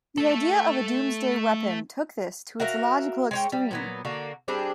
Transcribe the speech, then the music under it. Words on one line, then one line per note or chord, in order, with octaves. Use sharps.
The idea of a Doomsday weapon took this to its logical extreme.
A3 A4
F#4 A#4 E5 F5
G#3 C#5 G5
G3
A#2 F#3 B3
D3 A#3 F#4
G3 C4 D4 G#4